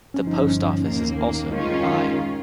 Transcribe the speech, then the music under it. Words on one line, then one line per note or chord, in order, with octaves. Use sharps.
The post office is also nearby.
G1 G2 F3 C#4
D#4
C#4
D#2 D#3 A#3
D#3 G#3 C#4 D#4 F4